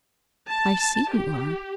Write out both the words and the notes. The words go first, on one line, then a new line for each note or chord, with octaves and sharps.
I see you are.
A5
G4